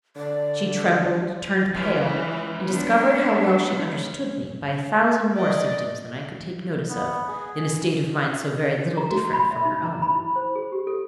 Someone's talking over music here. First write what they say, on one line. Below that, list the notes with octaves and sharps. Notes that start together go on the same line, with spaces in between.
She trembled, turned pale, and discovered how well she understood me, by a thousand more symptoms than I could take notice of, in a state of mind so very little different from her own.
D3 D5
E3 G#3 C#4
B3 D4
D5 D#5
B3
G#4
A#5
F#4
B5
E5
D#4
A#5
B5
E4
C5
G#4
G4
A4